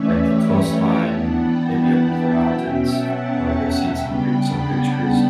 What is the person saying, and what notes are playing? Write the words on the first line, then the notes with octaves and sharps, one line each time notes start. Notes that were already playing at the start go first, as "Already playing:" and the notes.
like, the coastline and then maybe up into the mountains, like, I've seen some pic some pictures.
Already playing: E3 A3 C#4 B4 C#5 D5 E5
G4 B4
E5 G5
E3 B3 D4 F#5 A5
G5 B5
F#5 A5
E5 G5
B2 F#3 C#4 E5 G5
F#5 A5
F#5 A5
F#5 A5
C#3 G3 B3 D4 G5 B5
F#5 A5
F#5 A5